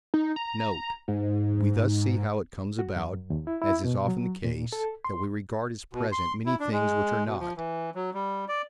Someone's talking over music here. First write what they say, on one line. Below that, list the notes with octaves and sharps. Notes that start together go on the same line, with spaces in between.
Note.--We thus see how it comes about, as is often the case, that we regard as present many things which are not.
D#4
A#5
G#2
F#4
F#2
D#2
E4
E4
B2
F#3
A#2
A4
C6
B2
C6
E4
D4
G#3
B2
F3
E3
F#3
G3
D5